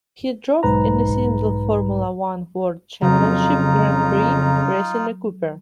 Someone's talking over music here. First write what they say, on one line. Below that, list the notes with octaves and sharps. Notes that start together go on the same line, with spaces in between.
He drove in a single Formula One World Championship Grand Prix, racing a Cooper.
B1 G#2 B4 A#5
F2 C#3 F#3 D#4 F4 A#5